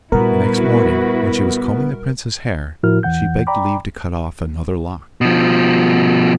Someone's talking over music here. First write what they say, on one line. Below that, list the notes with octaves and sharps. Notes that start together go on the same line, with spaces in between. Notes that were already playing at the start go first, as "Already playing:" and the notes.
The next morning, when she was combing the princess's hair, she begged leave to cut off another lock.
A#2 G3 B3 E4 F#4 A#4 B4
A2 F3 E4 F#4 A#4 F6
E2 E3 F#5 G6
D5 G5 A#5 B5 D6
B2 F3